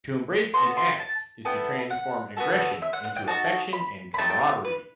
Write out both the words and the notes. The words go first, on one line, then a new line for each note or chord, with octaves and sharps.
To embrace an axe is to transform aggression into affection and camaraderie.
B3 F#4 A4 C6
C6
A5
B3 E4 A4 G5
F#5
B3 F#4 A4
E5
F#5
F#5
G5
D#4 F#4 A4 A5
B5
B5
A3 D#4 G4 A5
G5
B4